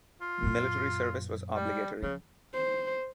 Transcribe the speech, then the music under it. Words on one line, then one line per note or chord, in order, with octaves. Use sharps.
Military service was obligatory.
F4
F#2 A#2
G3
C#3 F3
C5